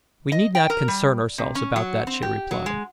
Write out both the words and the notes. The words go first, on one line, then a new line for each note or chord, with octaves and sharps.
"We need not concern ourselves about that," she replied.
D#5
G5
A#4
G3
C3
C#4
F#3
C4
G4
F#3
G#3